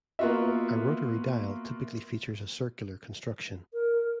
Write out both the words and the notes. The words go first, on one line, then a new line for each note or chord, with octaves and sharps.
A rotary dial typically features a circular construction.
A#3 B3 F4 F#4 E5
A#4